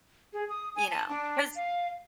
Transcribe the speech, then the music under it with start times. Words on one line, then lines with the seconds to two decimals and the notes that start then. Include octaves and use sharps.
You know, 'cause
0.33 G#4
0.49 D#6
0.76 G#5
0.91 A5
1.09 D4
1.56 F5